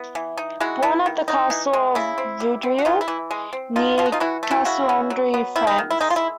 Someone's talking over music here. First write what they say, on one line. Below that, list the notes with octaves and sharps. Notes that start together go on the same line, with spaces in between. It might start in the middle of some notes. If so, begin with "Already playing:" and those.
Born at the Castle of Vaudreuil, near Castelnaudary, France.
Already playing: B3 E4
E3
D#4
G#3 E4 F#4
B3 E4
D#3
D#4
E3
G#3
C#3 E4
C4
G3
C4
F#4
E3 D#4 F4
E4
E3
G#3
C4
B2 D#4 F4
B2 F4
F#4
D#4 F4
E3 E4 F#4
A3
E4 F#4
C#3 E4 F#4
C#4
F#3
B3
D#3 E4
D#4
D#3
E4
G#3 D#4
F4
E4